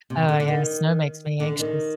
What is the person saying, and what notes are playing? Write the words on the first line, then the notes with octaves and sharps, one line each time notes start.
Oh, yeah, that makes me anxious.
C3
D3
D3
D#3
D3
D#3